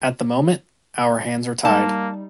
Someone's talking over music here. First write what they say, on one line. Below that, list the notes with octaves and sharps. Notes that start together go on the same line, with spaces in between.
At the moment, our hands are tied.
G3 A#3 D#4 A5